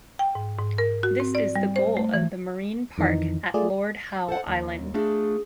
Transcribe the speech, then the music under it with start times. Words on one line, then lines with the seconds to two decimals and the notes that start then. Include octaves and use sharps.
This is the goal of the marine park at Lord Howe Island.
0.19 G5
0.35 G#2
0.58 G#2
0.78 A#4
1.03 F#4
1.20 C4
1.35 D5
1.55 G3
1.76 C5
1.97 A3
2.14 E3
2.98 F2 D#3 E3 D#4
3.54 A3 F4 G#4 D5
4.28 A4 C5 F#5
4.47 D#2
4.94 A3 D4 F4 G#4